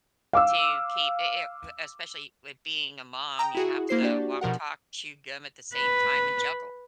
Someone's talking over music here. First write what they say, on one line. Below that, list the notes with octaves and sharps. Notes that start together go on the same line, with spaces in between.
to keep i it, uh, especially with being a mom, you have to walk, talk, chew gum at the same time and juggle.
F5 D6 E6
G5 A#5 D#6
E4 F#4 G#4
A#3 E4 C5 C7
D4 F#4 G4 D5
B2 F3 A#4 F#5
B4